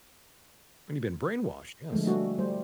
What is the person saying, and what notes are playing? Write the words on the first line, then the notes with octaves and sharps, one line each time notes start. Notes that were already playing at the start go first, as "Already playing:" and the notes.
I mean you've been brainwashed, yes.
D3 F3 G#3 A3
G3 A3 F#4
G3 A3 C5